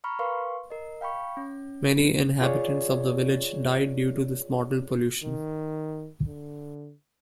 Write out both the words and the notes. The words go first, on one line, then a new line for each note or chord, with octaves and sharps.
Many inhabitants of the village died due to this mortal pollution.
A#5 B5 C#6 F6
A#4 B4 F5 C6 C#6
A#4 D#5
F5 G5 B5 C#6
C#4
F4 G#4 C#5 D5
D#3
D3